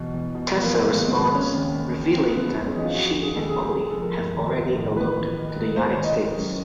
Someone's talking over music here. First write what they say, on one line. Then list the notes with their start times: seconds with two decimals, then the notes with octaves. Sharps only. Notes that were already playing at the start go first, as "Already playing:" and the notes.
Tessa responds, revealing that she and Ollie have already eloped to the United States.
Already playing: E2 B2
0.14 E2
0.35 B2
0.55 F3 B3
0.64 A#3
0.75 G#2 A#3
0.85 A#3
0.94 G#1 B3
1.08 C4
1.14 G#1
1.21 C4
1.35 C#3 C#4
1.54 D#2
1.75 E1
1.95 E1
2.15 C#3 C4
2.29 B3
2.36 E2
2.42 C4
2.55 F#1 C4
2.65 C#4
2.75 E3 D#4
2.85 F4
2.95 F3 F#4
3.09 G4
3.16 C#3
3.23 G#4
3.35 D#2 A4
3.49 G#4
3.56 D#2
3.62 G4
3.75 C3 G#4
3.89 A4
3.96 F2
4.02 A#4
4.16 G1
4.36 D#3
4.57 F3
4.77 A2
4.96 A1 B4
5.17 A1
5.36 D#3
5.56 G#2
5.76 G#1 C5
5.91 C#5
5.97 G#1
6.04 D#5
6.17 D#3
6.37 F#2